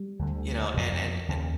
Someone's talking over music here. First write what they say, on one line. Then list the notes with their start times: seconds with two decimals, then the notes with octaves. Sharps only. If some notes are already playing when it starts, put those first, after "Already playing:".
you know, and and
Already playing: G3
0.19 D2 D3
0.74 F2 C3
1.28 D#2 C#3